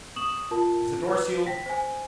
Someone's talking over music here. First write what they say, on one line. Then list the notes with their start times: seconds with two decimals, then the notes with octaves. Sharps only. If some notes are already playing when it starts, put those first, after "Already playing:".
Is the door sealed?
0.16 C#6 D#6 E7 F#7
0.51 F4 A#4 A5
1.08 B4
1.47 G5 A#6 B6
1.66 C5 G#5